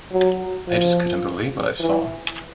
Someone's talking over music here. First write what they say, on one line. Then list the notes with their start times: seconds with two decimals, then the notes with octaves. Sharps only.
I just couldn't believe what I saw.
0.12 F#3
0.67 F3
1.79 E3